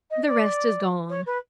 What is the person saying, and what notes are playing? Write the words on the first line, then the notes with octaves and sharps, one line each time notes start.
The rest is gone.
D#5
D5
C#5
B4